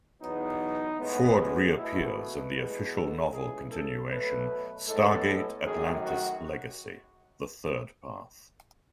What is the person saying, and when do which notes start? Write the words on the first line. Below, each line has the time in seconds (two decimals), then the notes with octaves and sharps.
Ford reappears in the official novel continuation "Stargate Atlantis Legacy: The Third Path".
0.21 E2 B2 F#3 B3 D#4
0.99 A2 G#3 B3
1.38 G#4
1.77 B2 A3 E4
2.15 B4
2.55 E2 B2 G#3 B3
2.93 A4
3.33 C#2 C#3 E3 G#3 G#4
3.71 A4
4.10 B2 F#3 A3 B4
4.88 A2 G#3 B3 A4
5.65 F#2 D#3 F#3 A3 G#4
6.04 F#4